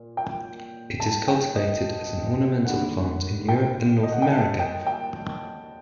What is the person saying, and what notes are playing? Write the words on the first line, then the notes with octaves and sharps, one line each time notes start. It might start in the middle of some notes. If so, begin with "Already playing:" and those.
It is cultivated as an ornamental plant in Europe and North America.
Already playing: A#2
G5
A5
G5
D#5
D#2 D3 G3 F#5
G5
D#5
F#5
G5
A5
G5
G5